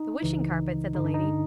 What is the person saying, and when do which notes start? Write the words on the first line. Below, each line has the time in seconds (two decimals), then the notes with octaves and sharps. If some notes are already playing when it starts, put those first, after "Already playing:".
'The wishing carpet?' said the lady.
Already playing: D#4
0.22 C#2 C#3 E3
0.94 G2 D3 D#4
1.05 D4
1.14 D#4